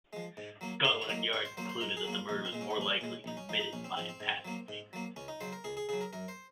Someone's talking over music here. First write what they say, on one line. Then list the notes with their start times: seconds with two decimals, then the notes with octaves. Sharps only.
Scotland Yard concluded that the murder was more likely committed by a passing vagrant.
0.13 F3 G#3
0.37 G#2
0.61 F#3 A#3
0.85 G#2 F5
1.02 C#5
1.09 F#3 A#3 D#5
1.33 G#2 C#5
1.45 C5
1.57 F#3 A#3 C5
1.69 C5
1.81 G#2 A#4
1.97 G#4
2.04 F#3 A#3
2.13 F4
2.29 A#1 D#4
2.45 C4
2.52 A#2 G#3
2.61 C#4
2.70 D#4
2.76 A#1 C#4
3.01 A#2 G#3
3.24 A#1 D#4
3.37 C#4
3.49 F3 D#4
3.53 G#2
3.60 D#4
3.73 A#1 C#4
3.84 C4
3.97 G#2 F3 C4
4.09 C4
4.20 G#2
4.45 F#3 A#3
4.69 G#2
4.93 F#3 A#3
5.16 C#2 C#4
5.28 D#4
5.41 C#3 F#3 C5
5.53 A#4
5.64 C#2 G#4
5.77 G#4
5.89 C#3 F#3 G#4
6.01 A#4
6.13 F#2 A#4
6.28 C5